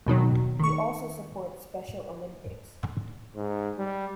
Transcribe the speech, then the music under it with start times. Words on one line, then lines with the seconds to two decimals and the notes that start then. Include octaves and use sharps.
He also supports Special Olympics.
0.06 D#2 B2 D#3 F#3
0.59 D#3 C#6
3.36 G#2
3.78 G3